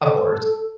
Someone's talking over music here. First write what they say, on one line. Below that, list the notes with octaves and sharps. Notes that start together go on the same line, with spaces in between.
Of course.
A4